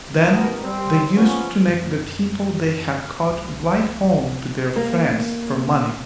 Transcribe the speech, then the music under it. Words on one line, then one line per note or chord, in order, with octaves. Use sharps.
Then they used to make the people they had caught write home to their friends for money.
A1 D2 B2 B3 A#4
G3 C4
F3 B3 C#4
F#2
C2
A#3